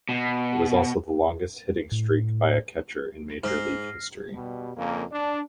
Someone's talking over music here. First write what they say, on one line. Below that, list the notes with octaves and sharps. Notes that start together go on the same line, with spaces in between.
It was also the longest hitting streak by a catcher in major league history.
B2
A2
G#2 F6 A#6 C7
B2 G3
F2 C#3 A#3
D4